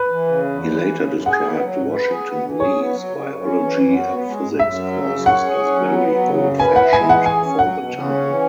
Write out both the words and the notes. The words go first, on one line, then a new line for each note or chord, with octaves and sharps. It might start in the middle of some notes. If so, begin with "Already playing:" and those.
He later described Washington-Lee's biology and physics courses as "very old-fashioned" for the time.
Already playing: B4
E3
C#3
E2
F#2
E3
C#3
F#2
G#4 F#5
B3
F#3
G#2
B4
G#4
B3
E3
G#4 C#5
B3
F#3
C#3
F#2
C#4
E3
F#2
F#4
B3
G#3
G#2
F#2 E5
F#3
C#3
F#2
C#5 F#5
G#4
C#4
F#3
B3
F#3
C#3
F#2
B4 G#5
E4 F#5
G#3 G#5
E3 F#5
G#4 G#5
C#4
F#3 F#5
B2
C#3
C#4
E3